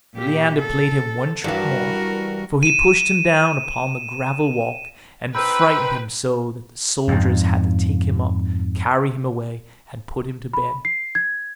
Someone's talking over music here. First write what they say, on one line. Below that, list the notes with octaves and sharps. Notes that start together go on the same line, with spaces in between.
But Leander played him one trick more; for he pushed him down upon the gravel-walk, and frightened him so that the soldiers had to take him up, carry him away, and put him to bed.
A#2 G4
A4
G2 E3 F#4 A#4
D#7 E7
D#4 B4 C5 G5 B5 E6
F2 G#2
B5
C7
G#6